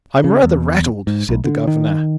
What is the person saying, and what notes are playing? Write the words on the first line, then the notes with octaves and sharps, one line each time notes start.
"I am rather rattled," said the Governor.
C#3
E2
G#2
B1
D3
D#3